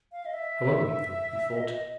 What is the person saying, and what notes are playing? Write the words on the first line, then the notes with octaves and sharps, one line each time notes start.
'I won't wake them,' he thought.
F5
D#5
E5
D#5